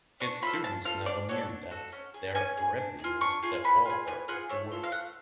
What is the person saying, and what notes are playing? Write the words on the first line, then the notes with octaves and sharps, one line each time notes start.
His students never knew that their rebbi was the author of the work.
D4 C#6
F4 A4 B5
D4 A5
F4 A4 F5
D4 D5
F#4 A4 C#5
D5
D4
F#4 A4
C#4
G#4
C#4 G#5
G#4
D4
F4 G#4
D4 C#6
F4 G#4
B3 B5
F4 G#4
B3 G#5
F4 G#4 F#5
A3 C#5
F4 A4
F5
A3 F#5